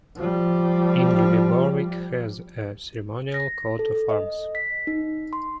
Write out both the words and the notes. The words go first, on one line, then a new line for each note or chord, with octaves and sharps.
Ingleby Barwick has a ceremonial Coat of Arms.
F3 G3
A#6
A4
D#5
B6
D#4
C6